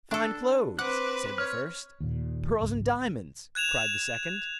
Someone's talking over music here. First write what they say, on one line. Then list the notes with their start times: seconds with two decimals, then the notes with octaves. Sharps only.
'Fine clothes,' said the first; 'Pearls and diamonds,' cried the second.
0.11 D4 A4
0.79 C4 B4 F#5 D6 F#6
1.38 C#5 F6
2.01 D#2 A#2
2.60 G#1 C#2
3.55 F#6 G#6 E7 F7